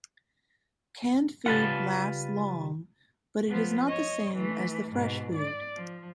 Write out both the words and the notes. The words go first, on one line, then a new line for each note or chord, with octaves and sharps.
Canned food lasts long but is not the same as the fresh food.
C#3 G3 F4 B4 F#5 A5
F3 B3
C#5 D#5
E3 A3
G#2 B2
D5
F3